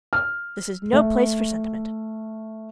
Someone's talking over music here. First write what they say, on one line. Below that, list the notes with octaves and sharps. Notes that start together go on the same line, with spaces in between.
This is no place for sentiment.
F6
A3